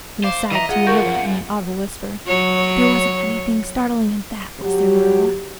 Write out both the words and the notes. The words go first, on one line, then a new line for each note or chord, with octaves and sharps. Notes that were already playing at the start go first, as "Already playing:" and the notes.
Then aside to Marilla in an audible whisper, "There wasn't anything startling in that, was there, Marilla?"
C5 F5 D6
E3 D#5 E5 A#5
F4 G#4 F#5
D2 A3 A#4 C#6 G6
F#2
F#3 C#5
F#3 G4